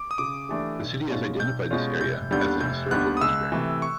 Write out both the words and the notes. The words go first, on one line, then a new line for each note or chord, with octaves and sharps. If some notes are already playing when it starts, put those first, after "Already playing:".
The city has identified this area as the Historical District.
Already playing: D6
D#6
C#3 D6
E3 A3 D4 G4
B1
B2 G#3 C#4 F4
B1 G6
B2 G#3 C#4 F4
F1 G6
D#2 D3 G3 B3 G6
F#6
F1 G6
D#2 D3 G3 B3 F#6
D#6
C#2 E6
C3 E3 A3
C#6